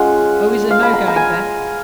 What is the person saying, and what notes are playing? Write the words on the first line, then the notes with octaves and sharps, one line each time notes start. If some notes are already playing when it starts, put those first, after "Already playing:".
Oh, is there no going back?'
Already playing: G#3 C#4 F4 F#5
F5
B5
A#5
A#5
G#5